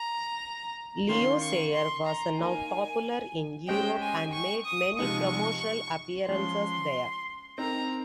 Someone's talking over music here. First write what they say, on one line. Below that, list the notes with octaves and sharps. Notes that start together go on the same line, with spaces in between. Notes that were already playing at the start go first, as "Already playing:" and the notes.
Leo Sayer was now popular in Europe and made many promotional appearances there.
Already playing: A#5
D#3 A#3 C#4 F4 C6
C#6
C6
A#5
A#3 D#4 A#4 G#5
G#3 C#4 G4 C5 D#5 G5
G#5
C#6
D#6
C3 F3 G#3 D#4 C#6
F3 G#3 C#4 C6
C4 D#4 A#4 A#5